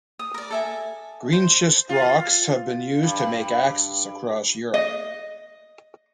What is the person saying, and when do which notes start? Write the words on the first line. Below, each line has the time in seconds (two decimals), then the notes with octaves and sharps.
Greenschist rocks have been used to make axes across Europe.
0.19 D#6
0.34 A#4 D5
0.50 A4 E5 G#5
1.33 C5
1.89 F4
3.03 G2
4.74 D#5